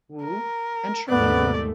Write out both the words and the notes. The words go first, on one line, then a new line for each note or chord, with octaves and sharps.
Wu and Sherman Wu.
A#4
D#2 G#2 A3 B3 D5